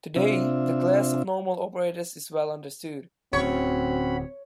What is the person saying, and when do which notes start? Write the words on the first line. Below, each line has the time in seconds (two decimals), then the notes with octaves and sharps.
Today, the class of normal operators is well understood.
0.16 C3 C4 D4 F4 E5
3.33 D1 D2 C4 C#4 F#4 C#5 B5